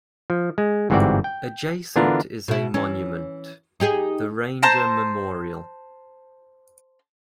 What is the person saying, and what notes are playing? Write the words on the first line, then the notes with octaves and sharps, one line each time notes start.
Adjacent is a monument, the Ranger Memorial.
F3
G#3
G1 G#2 E3 C4 F#4 D5
G5
D3 E3 B3 D4 F4 A#4
B2 E4
E3 C#4
D#4 G4 G#4
C5 A5 A#5